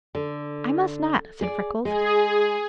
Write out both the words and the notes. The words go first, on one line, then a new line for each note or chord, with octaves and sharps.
"I must not," said Freckles.
D3
G#4 D5
G#3 G#4